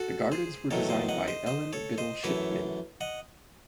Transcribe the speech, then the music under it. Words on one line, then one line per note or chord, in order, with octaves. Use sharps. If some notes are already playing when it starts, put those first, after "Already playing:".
The gardens were designed by Ellen Biddle Shipman.
Already playing: F#4 A4
G#4 C5
E2 D#3 F#3 A3 A4 C#5
C5 D#5
D#5 F#5
C5 D#5
C5 D#5
A4 C#5
C5 D#5
F#2 E3 A3 C#5 E5
D#5 F#5